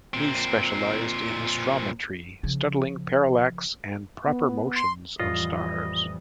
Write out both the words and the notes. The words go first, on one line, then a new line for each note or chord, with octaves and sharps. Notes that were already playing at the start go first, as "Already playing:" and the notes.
He specialized in astrometry, studying parallax and proper motions of stars.
A#2 C4
C#3 F3
B3
C6
F2 A2 E3 G3 F4 D#5